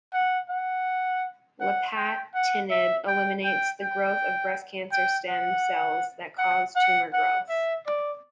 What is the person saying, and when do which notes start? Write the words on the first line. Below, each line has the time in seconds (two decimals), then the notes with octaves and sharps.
Lapatinib eliminates the growth of breast cancer stem cells that cause tumor growth.
0.13 F#5
0.49 F#5
1.61 F#5
1.96 G5
2.34 F#5
2.71 E5
3.08 G5
3.44 G5
3.81 G5
4.92 G5
5.28 F#5
6.38 F#5
6.76 F#5
7.13 F#5
7.49 E5
7.87 D5